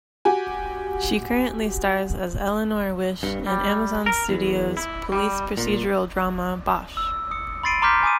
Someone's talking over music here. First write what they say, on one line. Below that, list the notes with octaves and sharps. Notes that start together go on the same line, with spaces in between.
She currently stars as Eleanor Wish in Amazon Studios' police procedural drama "Bosch".
F#4 G4 G#5
G2
G3
A#4
E2
E4
G3
A#2
E6
D#6 C#7
B5 C6 A6 C7 D7 D#7
A#5 C6 D6 F6 G6 B6
G#5 D6 D#6 D#7